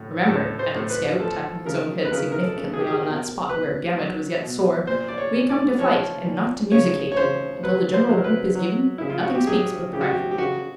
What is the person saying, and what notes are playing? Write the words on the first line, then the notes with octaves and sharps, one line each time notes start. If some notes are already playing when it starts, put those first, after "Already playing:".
"Remember," added the scout, tapping his own head significantly on that spot where Gamut was yet sore, "we come to fight, and not to musickate. Until the general whoop is given, nothing speaks but the rifle."
Already playing: A2
A2 A4
C5
A2
B4
F3 A4
C#3 A#4
B4
C#3 A#4
A#4
A4
C#3
G#4
G4
G#4
B2 A#4
B2 B4
F#3
B2
A#2 C5
D5
C#5
A#2
D5
F3 C#5
A#2
C#3 C#5
C#5
C#3 C5
F#3 B4
C5
F#3
A#4
B4
F#3
C#3 E4
F4
F#4
G4
F#3 G#4
C#3 G4
F#4
G4
G4
C#3 F#4